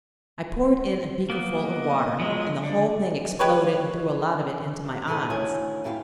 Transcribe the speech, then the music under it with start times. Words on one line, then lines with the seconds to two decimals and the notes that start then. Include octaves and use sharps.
I poured in a beakerful of water, and the whole thing exploded and threw a lot of it into my eyes.
1.30 A#3 B3
1.62 D#5
2.20 F3 F#3 G#3
2.63 D3 D5
3.39 G#3 G4 B4 C#5
5.07 E4 G#4 A4 C5 F#5
5.30 D2 D#3 E4 C#5 G#5
5.84 F#2 E4 G4 A#4 F5